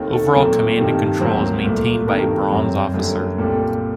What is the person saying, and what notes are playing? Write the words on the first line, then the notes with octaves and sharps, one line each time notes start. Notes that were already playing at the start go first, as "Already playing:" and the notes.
Overall command and control is maintained by a 'Bronze' officer.
Already playing: D#2 D#3 A3 C4
A4
A#2 F#3 A3 C4 A#4
G2 D#3 G3 C4
D2 C3 F#3 A#3 C4 C5
C2 A#2 A3
G2 D#3 A3 C4 A#4
F#2 F#3 C4
F#2 D3 G3 A#3
C2 A#2 G3 C4 A4